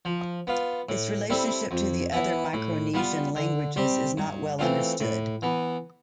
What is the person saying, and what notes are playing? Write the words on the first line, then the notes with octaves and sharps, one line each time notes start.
Its relationship to the other Micronesian languages is not well understood.
F3
B3 F4
A2
G3 C4 E4 A4
F2
E3 B3 E4
A2
G3 B3 F4
D3
G3 C4 G4
G2
E3 A3 C4 F4
A2
E3 B3